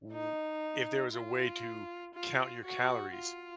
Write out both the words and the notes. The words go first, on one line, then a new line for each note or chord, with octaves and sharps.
w if there was a way to count your calories,
D#4
F4
F4
F#4
F4